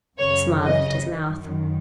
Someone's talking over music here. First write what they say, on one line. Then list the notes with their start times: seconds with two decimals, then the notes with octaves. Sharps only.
The smile left his mouth.
0.18 F#2 C#3 C#5
0.63 D#5
1.08 F#2 D#3